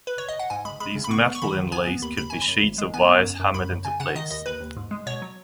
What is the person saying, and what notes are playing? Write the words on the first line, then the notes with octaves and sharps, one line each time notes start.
These metal inlays could be sheets or wires hammered into place.
B4
C#5
D#5
F#5
G#2 G#5
G#3 B5
G#3 B5
C#3
B5
B3 C#6
B3
C#6
D#3 B5
D#3
B3 G#5
B3
D#2 B5
D#2 B5
F#2 G#5
B5
F#2
G#1
G#3
B3 G#5
B3
F#2
F#2
F#2 B5
F#2
C#3 G#5
C#3 F#5
D#3 D#5
D#2 D#5
D#2 B4
D#2
G#2
G#3
B2 C#5
F#3